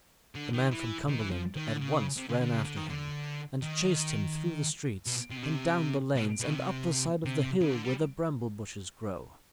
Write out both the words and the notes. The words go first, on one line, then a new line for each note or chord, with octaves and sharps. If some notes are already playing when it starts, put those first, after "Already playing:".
The man from Cumberland at once ran after him, and chased him through the streets and down the lanes and up the side of the hill where the bramble-bushes grow.
D3
D#3
E3
D#3
E3
F3
D#3
D3
C#3
C3
C#3
D3
C#3
D3
D#3
D3
D#3
B2
C3
B2
C3
B2
B2
C3
C3
C#3
D3
G3